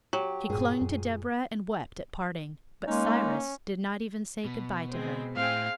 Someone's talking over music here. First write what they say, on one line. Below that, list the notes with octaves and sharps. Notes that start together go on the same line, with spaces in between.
She clung to Deborah and wept at parting, but Cyrus did not even say goodbye to her.
F#3 G4
G2 A#2 G#4
F#2
G#3 A#3 C#4 D#4
B2 B3
G#3 C4
A2 C4 G#4 F5